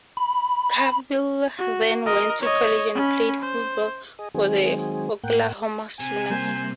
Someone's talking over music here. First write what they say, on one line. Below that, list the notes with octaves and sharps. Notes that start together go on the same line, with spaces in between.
Cavil then went to college and played football for the Oklahoma Sooners.
B5
F#4
A#4 D#5
C#5 D#5
C#4 B5
C5
G#4 D#5
D#3 F#3 G#3 C4 G#4
A2 A#3 F#5 G5
C3 G#5
G3 A#3 C5